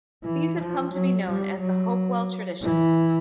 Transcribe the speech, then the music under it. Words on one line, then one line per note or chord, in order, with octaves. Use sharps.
These have come to be known as the Hopewell tradition.
E3
F3
F#3
G3
F#3
E3